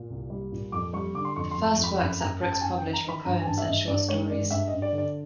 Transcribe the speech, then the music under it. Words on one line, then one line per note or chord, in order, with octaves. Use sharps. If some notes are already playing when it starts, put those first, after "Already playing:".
The first works that Brooks published were poems and short stories.
Already playing: A#2
C2
G3
A#2
F2 D6
G3 C#6
D3 D6
C6
F2 C#6
C6
F2
F2
B5
F#2 B5
F#2 A#5
F#2 A5
A5
F#2 G#5
G5
D#3
A#5
D#3 B5
G2 A#5
G#5
G2 A5
E5
G2 D#5
G2 D5
G#3 C#5
G2 D5
G2 E5
D#5
G2
D5
D3
D5